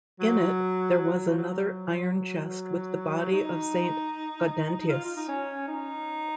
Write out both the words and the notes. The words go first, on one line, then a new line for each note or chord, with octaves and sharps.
In it, there was another iron chest with the body of Saint Gaudentius.
F#3
F#3
F3
F#3
D#4
F4
F4
D#4
C#4
D#4